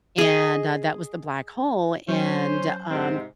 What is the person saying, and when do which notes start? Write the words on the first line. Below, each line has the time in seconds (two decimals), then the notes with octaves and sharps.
and, uh, that was the black hole, and, um,
0.18 G#4 D#5
2.08 F#3 C#4 C5
2.91 G#2 C3 C4